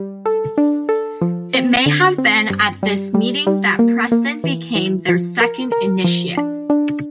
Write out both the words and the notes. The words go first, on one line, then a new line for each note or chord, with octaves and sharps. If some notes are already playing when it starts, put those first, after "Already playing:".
It may have been at this meeting that Preston became their second initiate.
Already playing: G3
A4
D4
A4
F3
C4
D3
C4
G2
G3
G3
G3
A#3
A#3
E3
E3
F3
A#4
A#4
F3
D4
D4